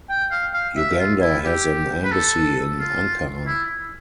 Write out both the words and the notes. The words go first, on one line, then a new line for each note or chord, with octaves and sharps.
Uganda has an embassy in Ankara.
G5
F5
F5
E5
F4
E4
G4
B4
A4
F4
E4